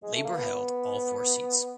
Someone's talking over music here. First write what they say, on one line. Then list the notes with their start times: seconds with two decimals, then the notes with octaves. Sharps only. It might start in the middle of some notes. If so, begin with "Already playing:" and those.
Labour held all four seats.
0.03 G#3
0.14 A3
0.24 A#3
0.34 B3